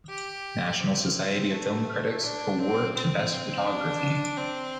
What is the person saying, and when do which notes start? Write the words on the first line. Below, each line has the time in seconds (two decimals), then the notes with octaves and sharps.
National Society of Film Critics Award to best photography.
0.09 G4
0.80 C4
1.52 A3
2.23 D4
2.59 C4
2.95 C4
3.67 D4
4.37 C4